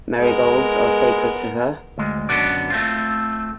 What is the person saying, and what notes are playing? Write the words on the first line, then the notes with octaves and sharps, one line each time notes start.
Marigolds are sacred to her.
G#3 B3 A#4
D2 G#3
F#2 D3 D#3 B3 F#4 D5
A3 C4 F4